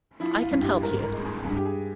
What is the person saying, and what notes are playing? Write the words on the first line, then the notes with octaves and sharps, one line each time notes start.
I can help you.
F3 E4
F4
G2
G4
G#2 A#4
A#4
G#3
G#4
G2 G#4
G4
G#4